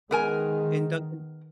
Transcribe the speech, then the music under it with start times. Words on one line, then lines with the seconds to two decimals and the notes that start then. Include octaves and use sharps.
in Dunkin'?
0.11 D#3 G#3 B3 A#4 G#5